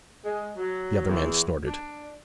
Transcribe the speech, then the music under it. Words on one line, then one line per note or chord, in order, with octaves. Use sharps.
The other man snorted.
G#3
F#3
E2
D4